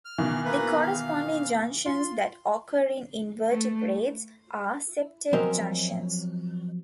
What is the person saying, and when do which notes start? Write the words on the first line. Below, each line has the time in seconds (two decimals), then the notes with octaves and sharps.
The corresponding junctions that occur in invertebrates are septate junctions.
0.05 F6
0.18 B2 D#3 E3
0.45 A#3 B4
0.81 F5
1.86 F4 C6
3.50 A3
5.33 F3 F#3 C4 C#4 A#4 D#5